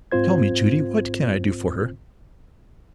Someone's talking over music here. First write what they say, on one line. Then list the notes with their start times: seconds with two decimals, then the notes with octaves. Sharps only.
"Tell me, Judy, what CAN I do for her?"
0.12 G#2 C4 F4 C5 G#6